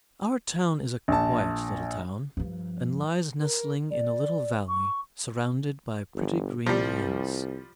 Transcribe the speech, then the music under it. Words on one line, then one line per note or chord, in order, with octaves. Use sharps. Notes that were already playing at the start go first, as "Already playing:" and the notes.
Our town is a quiet little town, and lies nestling in a little valley surrounded by pretty green hills.
A#1 A5
G2 F3
A#4
D5
C#6
G1
C2 F3 G3